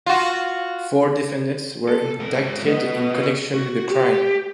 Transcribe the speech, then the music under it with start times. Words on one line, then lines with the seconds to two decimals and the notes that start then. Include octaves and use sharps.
Four defendants were indicted in connection with the crime.
0.06 F4 F#4
1.88 A4
2.20 G#2 A#4
2.67 B3 D#5
3.54 F#4
3.90 G4